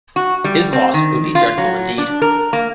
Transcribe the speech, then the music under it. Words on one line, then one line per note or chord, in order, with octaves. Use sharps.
His loss would be dreadful indeed.
F#4
G3
C4
D#3
F4
F#3
D4
A#4
A#3